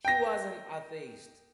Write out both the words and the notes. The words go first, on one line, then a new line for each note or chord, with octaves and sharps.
He was an atheist.
G5 A#6